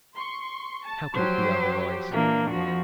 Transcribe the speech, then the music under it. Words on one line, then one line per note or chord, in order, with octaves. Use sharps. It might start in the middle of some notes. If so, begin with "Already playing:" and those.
How could it be otherwise?
C6 C#6
A5
F3 F#3 G4 C5
A#2 E3 A#3 D4
F2 F3 F#4